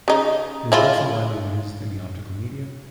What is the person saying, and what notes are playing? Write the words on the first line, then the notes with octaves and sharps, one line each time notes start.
It is also widely used in the optical media.
C#3 D#4
G#3 E4 F4